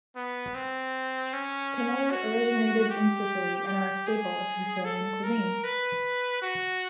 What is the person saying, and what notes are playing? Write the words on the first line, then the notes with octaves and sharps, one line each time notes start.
Cannoli originated in Sicily and are a staple of Sicilian cuisine.
B3
C4
C#4
F#4
G4
G4
G#4
A4
A#4
B4
F#4